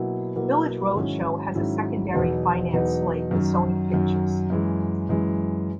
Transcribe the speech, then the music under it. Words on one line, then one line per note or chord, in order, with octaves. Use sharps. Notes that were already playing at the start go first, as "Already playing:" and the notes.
Village Roadshow has a secondary finance slate with Sony Pictures.
Already playing: B2 F#3 A#3 E4
B2 F#3 A#3 E4
G#2 D#3 F#3 C#4 E4
G#2 D#3 F#3 C#4 E4
E2 B2 F#3 B3 D#4
E2 B2 F#3 B3 D#4
F#2 D#3 F#3
F#2 D#3 F#3
F#2 E3 G#3
F#2 E3 G#3